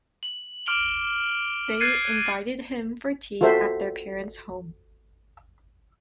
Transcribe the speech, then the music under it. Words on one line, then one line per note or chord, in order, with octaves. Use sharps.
They invited him for tea at their parents' home.
F#7
D6 F6 D7 F7 G7
F#6 G#6 A6 C7 C#7 D#7
F4 F#4 A4 C5 E5